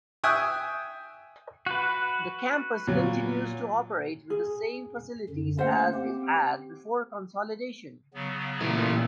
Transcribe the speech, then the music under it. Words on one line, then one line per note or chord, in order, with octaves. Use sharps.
The campus continues to operate with the same facilities as it had before consolidation.
E5 G5 G#5 C#6 D#6 F#6
F#4 B4
A#2 F#3
G#4
F#2 D3
A3 A#3 C#4 C5 F#5
C4 G4
C#3 F#3 B3
A#2 E3 A3